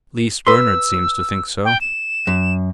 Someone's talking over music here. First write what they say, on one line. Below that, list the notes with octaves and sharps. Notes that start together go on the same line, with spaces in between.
"At least, Bernard seems to think so."
B4 C6 E6
G5
E7
F#2